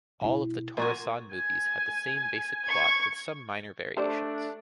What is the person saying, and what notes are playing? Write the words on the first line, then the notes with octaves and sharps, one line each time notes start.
All of the Tora-san movies had the same basic plot with some minor variations.
B2 E4
A#2 F#4 G#5
G#5
C#6 G#6
A3 D4 G4 C5 D5